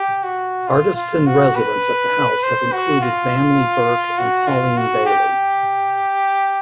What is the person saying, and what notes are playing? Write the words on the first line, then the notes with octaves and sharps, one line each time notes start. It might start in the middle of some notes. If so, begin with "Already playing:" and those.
Artists-in-residence at the house have included Vanley Burke and Pauline Bailey.
Already playing: G4
F#4
F4
F4
F#4
B4
C5
F#4
F4
F#4
F4
F#4
G4